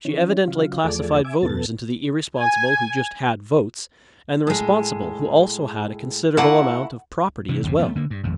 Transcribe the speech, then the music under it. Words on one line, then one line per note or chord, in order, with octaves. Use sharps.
She evidently classified voters into the irresponsible who just had votes and the responsible who also had a considerable amount of property as well.
E3 C#4
C#3 F#3 F4
E2 F3 A3 G#4 A4 D5
E5 G#5 D6
E2 B2 B3 A4 A6
G#5
A2 G#3
A3 A#3 E4 F#5
C3 E3
G1 E2 C3
F3 G3 A3 B3
D3 A#3
G2
G#1 F2 A2